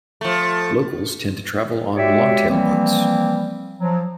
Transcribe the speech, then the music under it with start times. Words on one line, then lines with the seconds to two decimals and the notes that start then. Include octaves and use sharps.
Locals tend to travel on longtail boats.
0.21 F3 A3
1.97 G#3 F#4 G4 C#5 D5 E5
2.49 E3 F3 G3 A#3 C4
3.79 F3 F#3